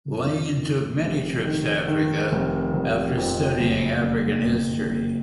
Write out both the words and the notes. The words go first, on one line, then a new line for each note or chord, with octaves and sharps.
Layne took many trips to Africa, after studying African history.
F2
D#3
F1
D#3
D#3
F1
F1
F2
F#1
F#1
F#1
F#1